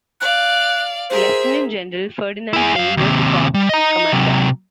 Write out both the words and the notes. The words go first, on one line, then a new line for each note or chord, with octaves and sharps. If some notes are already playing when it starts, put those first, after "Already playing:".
Lieutenant General Ferdinand Heim was the corps commander.
D5 F5 F#6
G#4 A#4 C5 E5
E4 G#4
F#2 F5
D#2 C3
G3
D#5 A#5
C3 F#3